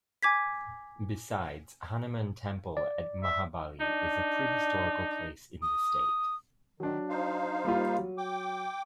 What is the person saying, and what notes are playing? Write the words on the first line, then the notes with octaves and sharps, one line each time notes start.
Besides, Hanuman Temple at Mahabali is a pre-historical place in the State.
G#5 D6 G#6 B6
D5
E5
D4 D#4
D#6
D#3 F#3 D4
D#4 C5 F5
G3 A#3 F4
F#3
G5 D6